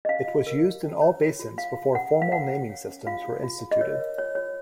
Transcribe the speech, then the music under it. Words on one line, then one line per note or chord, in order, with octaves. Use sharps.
It was used in all basins before formal naming systems were instituted.
D#5
C#4 F5
F4
A#4
A#4
C#4
C#5
F4
F4
F4 F5
F4
C#4 F#5
A#4
F5
A#4 F#5
C#4
C#5
C#4
F4 F5
F4
F4
F4
D#5
A#4 C#5
A#4
F4 C#5
F4 C#5